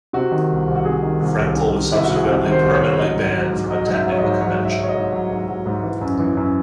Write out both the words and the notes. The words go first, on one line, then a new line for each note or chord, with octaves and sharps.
Frenkel was subsequently permanently banned from attending the convention.
C3 F#4
D#3
C2
C2
F#4
C3 G#4
D#3
C2
C2
C3
D#3
C2 E4
F#4
C2
G#4
C3 A4
D#3
C5
C2
C#5
C2
F#3 D#5
G#2
F#3
G#2
F#3 D#5
G#2 D#5
E5
F#3
C#5
D#5
G#2
F#3 C#5
G#2
E5
F#3
C#5
D#5
G#2
F#3
G#2
F#3
G#2
E3
F#2
E3
F#2